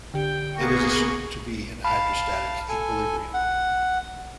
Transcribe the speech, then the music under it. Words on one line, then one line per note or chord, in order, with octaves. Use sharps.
It is assumed to be in hydrostatic equilibrium.
D3 G4 G5
A#3 B3 G#4 C#6 A#6
F5 A5 B5
A4 G#5
F#5